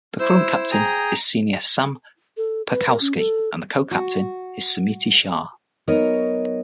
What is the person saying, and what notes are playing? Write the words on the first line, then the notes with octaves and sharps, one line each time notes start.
The current Captain is senior Sam Perkowsky and the Co-Captain is Smiti Shah.
E4 C5 E6
G#4 G5 A#5 D#6
A4
B4
A#4
C#4
A4
F#4
F#3 B3 D#4 A#4 C#5 D#5